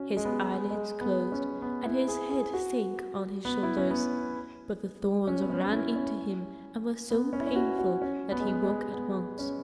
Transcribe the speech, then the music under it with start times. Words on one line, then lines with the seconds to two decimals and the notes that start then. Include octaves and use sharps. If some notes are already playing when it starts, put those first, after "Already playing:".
His eyelids closed, and his head sank on his shoulders, but the thorns ran into him and were so painful that he awoke at once.
Already playing: C#4 F#4
0.17 G#3
0.25 B3
0.70 G#3
1.01 B3
1.32 C#4
1.62 B3
1.85 E4
2.08 G#4
2.30 G#4
2.53 F#4
3.45 B3
3.63 E4
3.77 C#4
3.91 B3
5.27 C#4
5.41 B3
5.50 C#4
5.66 C#4
5.73 E4
5.96 C#4
7.10 B3
7.33 C#4
7.40 E4
7.47 C#4
7.56 F#4
7.78 F#4
8.02 C#4
8.32 B3
8.40 G#3
8.48 B3
8.62 G#3
8.93 B3
9.39 C#4